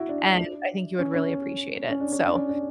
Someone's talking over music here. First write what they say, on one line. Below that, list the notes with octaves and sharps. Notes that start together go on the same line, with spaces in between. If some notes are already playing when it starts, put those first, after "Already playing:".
and I think you would really appreciate it. So,
Already playing: E4 F#4
D4
C#4
C#4
C#4
D4
C#4
D4
C#4
D4